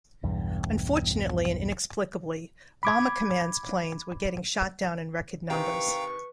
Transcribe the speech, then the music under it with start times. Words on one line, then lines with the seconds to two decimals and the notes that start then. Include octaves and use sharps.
Unfortunately and inexplicably, Bomber Command's planes were getting shot down in record numbers.
0.23 B1 E2 G2
2.83 B5 D6 G#6
5.50 C3 D#3 E3 B4 F5 G5 A#5 C#6